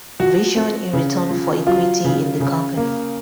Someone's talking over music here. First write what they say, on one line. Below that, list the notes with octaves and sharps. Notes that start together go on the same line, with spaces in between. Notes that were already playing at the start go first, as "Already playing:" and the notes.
Vision, in return for equity in the company.
F3 F#4
C4
C#3
F3
F#3 F4
C#3
C#3
A#3